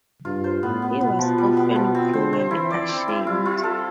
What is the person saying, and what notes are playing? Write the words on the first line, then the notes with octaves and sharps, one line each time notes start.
He was often cruelly ashamed.
G2 F4
C5
A2 B3
B3
B2 B3
F3
B2 G3
B3
F3
C4
D3 C5
C5
E3 E4
D5
C4
E4
G3 F4
F4
A4